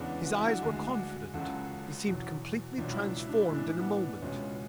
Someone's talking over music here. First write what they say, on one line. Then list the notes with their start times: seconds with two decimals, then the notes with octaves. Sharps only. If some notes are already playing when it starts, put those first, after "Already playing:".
His eyes were confident. He seemed completely transformed in a moment.
Already playing: E2 C#3 G#3 B3 D4
0.26 F#4
0.36 E4
0.46 D4 F#4
0.62 D2 D3 G#3
0.86 D4 F#4
1.34 C#2 C#3 F#3 F#4 A4
2.06 E2 B2 F#3
2.78 C#2 B2 F#3 D4
2.91 E4
3.04 D4
3.16 E4
3.29 D4
3.41 E4
3.50 A2 E3 G#3 D4
3.68 E4
3.80 B3 D4
4.22 C#2 B2 G#3 C#4